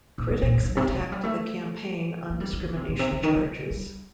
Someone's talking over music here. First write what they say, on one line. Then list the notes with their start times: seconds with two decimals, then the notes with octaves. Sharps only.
Critics attacked the campaign on discrimination charges.
0.18 A#2
0.30 C3
0.43 A#2
0.54 F#2
0.65 G2
0.77 C3
0.88 D3
1.00 F#3
1.12 G3
1.23 A3
2.30 A#3
2.41 G3
2.53 D#3
2.65 D3
2.76 C3
2.88 A#2
2.99 C3
3.12 C3
3.23 D#3
3.35 F#3
3.71 G3